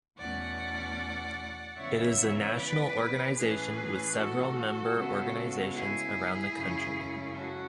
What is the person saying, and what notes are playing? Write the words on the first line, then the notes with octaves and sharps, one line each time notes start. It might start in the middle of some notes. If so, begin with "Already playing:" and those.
It is a national organization with several member organizations around the country.
E2 B2 A3 C#4 D5 F#5
C#3 E3 G#3 B3 C#5 E5
B4 D5
A2 E3 A3 C#4 G#4 B4
F#4 A4
C#3 G#3 B3
E4 G#4
F#2 C#3 G#3 C#4
F#4 A4